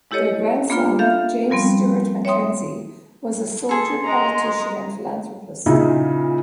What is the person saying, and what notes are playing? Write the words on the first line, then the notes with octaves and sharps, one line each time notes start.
Their grandson James Stewart-Mackenzie was a soldier, politician and philanthropist.
G#3 E4 G4 A4 C#5 D#5
A#3 B3 D4 F4
A4 E5 F5 F6 G6
F3 G3 B3 C4
C#5 E5 G5 C6 D#6
G#4 A4 C6
G#3 A#5
A#2 C#3 D#4 E4